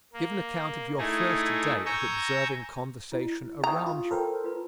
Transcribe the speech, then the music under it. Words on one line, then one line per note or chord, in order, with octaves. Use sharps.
Give an account of your first day at observing conversation around you.
A#3
A3 D#4 E4 G#4
G#5 A#5 C#6 E6 G6
E4 D#5
G5 A#5 C#6 D#6
F4
A4 A#4 C5 G5 B5
F4 B4